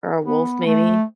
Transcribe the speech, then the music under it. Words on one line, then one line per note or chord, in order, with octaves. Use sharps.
or a wolf, maybe
B3
A3